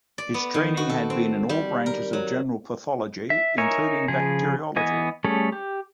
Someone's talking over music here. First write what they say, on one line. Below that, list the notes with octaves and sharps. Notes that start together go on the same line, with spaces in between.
His training had been in all branches of general pathology including bacteriology.
D5
B3
D#3
F#4
A4
C4
G3
A#4
F#3
E5
D#4 A#4 C#5 E5 G#5
C#3 F3 G#4
E3 B3 D#5 G#5
G3 A3 C#4 G#4 A4
G4